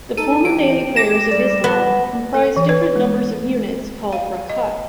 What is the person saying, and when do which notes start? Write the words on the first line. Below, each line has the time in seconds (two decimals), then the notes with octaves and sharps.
The formal daily prayers of Islam comprise different numbers of units, called "rak'at".
0.17 D#4 A4 D#7
0.45 E3 G4 D7
0.96 D6 A#6 E7
1.31 G3 D5
1.64 B3
2.34 A4
2.56 E3
2.69 B4
2.96 G#3
4.13 F5
4.49 D#5